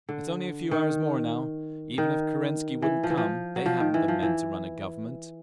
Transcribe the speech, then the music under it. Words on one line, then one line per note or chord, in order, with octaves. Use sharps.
It's only a few hours more, now. Even if Kerensky wouldn't come they haven't the men to run a Government.
D3
D#3
D#3
E3
F3
E3
F3
F#3
F3
D#3
E3
F3
E3